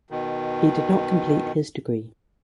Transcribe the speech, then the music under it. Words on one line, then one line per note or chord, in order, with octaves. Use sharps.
He did not complete his degree.
B2 D#3